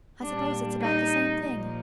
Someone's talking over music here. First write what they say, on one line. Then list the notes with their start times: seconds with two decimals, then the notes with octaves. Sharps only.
I suppose it's about the same thing.
0.23 A#2 G3 D4
0.82 D#4
1.41 A#2 F3